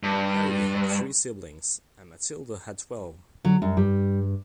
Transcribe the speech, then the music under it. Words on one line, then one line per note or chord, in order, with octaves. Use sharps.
Harry had three siblings and Matilda had twelve.
G2
D3 F#3
F#2 G3
G2 G3